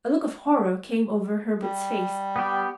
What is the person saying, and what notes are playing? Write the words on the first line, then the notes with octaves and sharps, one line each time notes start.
A look of horror came over Herbert's face.
G3
B3 G4